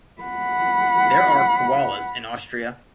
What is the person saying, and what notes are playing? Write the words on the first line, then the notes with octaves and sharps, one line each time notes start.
There are koalas in Austria.
F#5 B5